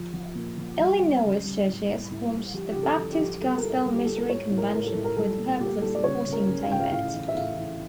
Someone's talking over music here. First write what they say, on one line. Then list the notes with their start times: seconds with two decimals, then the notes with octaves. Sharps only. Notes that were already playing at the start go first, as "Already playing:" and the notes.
Illinois churches formed the "Baptist Gospel Missionary Convention" for the purpose of supporting David.
Already playing: F3
0.14 F3
0.35 A#2
0.58 F3
0.80 G3
1.01 G3
1.23 C#3
1.44 G3
1.66 A2
1.88 A2
2.11 A2
2.32 G3
2.54 F3 G4
2.72 C#3 G4
2.83 A4
2.98 F3
3.12 G4
3.19 F3
3.41 G3 A4
3.58 A#4
3.63 A2 A4
3.85 G3
3.94 G4
4.05 G3 A4
4.17 A#4
4.28 A2 C#5
4.50 A2
4.58 A#4
4.73 A2 A#4
4.86 A4
4.95 A2
5.04 A#4
5.16 G3 A4
5.39 A#2
5.60 A#2 G4
5.82 G3 A4
5.95 D5
6.04 C#3 C#5
6.26 C#3
6.32 A#4
6.47 C#3
6.62 F5
6.69 C#3 G5
6.80 F5
6.91 A2 F5
7.13 E3
7.28 E5
7.34 A2 F5
7.57 E3